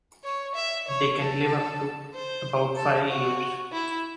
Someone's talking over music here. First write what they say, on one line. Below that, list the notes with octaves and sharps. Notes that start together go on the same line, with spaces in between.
They can live up to about five years.
C#5
E5
C#5
A4
C5
A4
F#4
E4